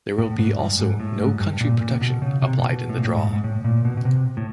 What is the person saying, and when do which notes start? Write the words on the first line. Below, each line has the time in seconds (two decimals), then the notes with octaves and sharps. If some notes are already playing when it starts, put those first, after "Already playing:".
There will be also no country protection applied in the draw.
0.18 A2
0.39 G#2
0.59 G2
0.79 G#2
1.00 A2
1.20 G#2
1.40 G2
1.61 A#2
1.81 A#2
1.95 C3
2.01 B2
2.22 C#3
2.42 C3
2.58 A#2
2.62 B2
2.89 A2
2.97 A#2
3.04 A2
3.17 G#2
3.33 G#2
3.44 A2
3.64 A#2
3.85 B2
3.97 B2
4.05 C3
4.37 A2